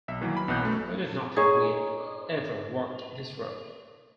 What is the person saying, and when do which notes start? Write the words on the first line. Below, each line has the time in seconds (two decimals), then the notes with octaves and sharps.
He did not think we ever walked this road.
0.08 B1 E5
0.21 D#3 E3 F#3 A#3
0.37 B5
0.48 B1 B2 E3 F#6 G6
0.61 F#2 A3
1.36 D#4 G#4 C#5